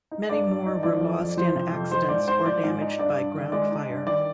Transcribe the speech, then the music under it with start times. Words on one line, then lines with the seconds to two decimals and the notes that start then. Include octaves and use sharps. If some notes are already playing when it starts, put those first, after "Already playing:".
Many more were lost in accidents or damaged by ground fire.
0.11 D#4
0.29 G2 D5
0.47 G2
0.66 D#4
0.83 F3 D5
1.01 F2
1.20 F2
1.37 F3 C5
1.56 C3
1.73 F2
1.91 D#4 C5
2.09 G#2 D5
2.28 G#2 C5
2.45 F3 D5
2.64 G#2
2.81 D#4
2.99 G2 D5
3.17 G2
3.35 D#3
3.52 G#3 D5
3.71 D#4
3.89 G2
4.07 D#3 D5